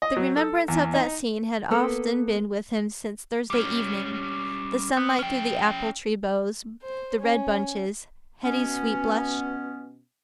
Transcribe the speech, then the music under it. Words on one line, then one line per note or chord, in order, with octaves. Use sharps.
The remembrance of that scene had often been with him since Thursday evening: the sunlight through the apple-tree boughs, the red bunches, Hetty's sweet blush.
D#5
F#3
A4
E2
D#4
A#3 B3 A4 B4
G3 C#4
B3
C#4 G5
C5
C#4
B2 B3 C#4